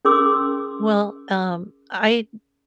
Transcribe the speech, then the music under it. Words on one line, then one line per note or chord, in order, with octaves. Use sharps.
Well, um, I
C#4 G#4 A#4 C6 D6 E6